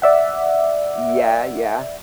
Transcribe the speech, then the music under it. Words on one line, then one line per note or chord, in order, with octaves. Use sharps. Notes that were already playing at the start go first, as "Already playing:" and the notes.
Yeah, yeah.
D5 E5 F#5